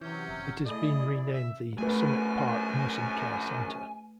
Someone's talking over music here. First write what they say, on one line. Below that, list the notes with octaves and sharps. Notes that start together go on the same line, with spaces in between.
It has been renamed the Summit Park Nursing Care Center.
C3 E3 F#3 C#4 G6
G1
A3 E4 G#4 D5 D#5
C3
E5
A#1 F#2 A3 B4 G#5